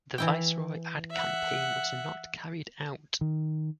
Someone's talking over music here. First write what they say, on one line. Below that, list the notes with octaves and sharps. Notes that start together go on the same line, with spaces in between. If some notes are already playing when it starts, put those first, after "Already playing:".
The Viceroy ad campaign was not carried out.
E3 E4 G5
E5 F#5
D#3